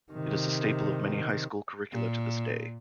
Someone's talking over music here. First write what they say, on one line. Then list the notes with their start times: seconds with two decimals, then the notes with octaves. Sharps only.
It is a staple of many high-school curricula to this day.
0.12 C3 D#3
1.92 A#2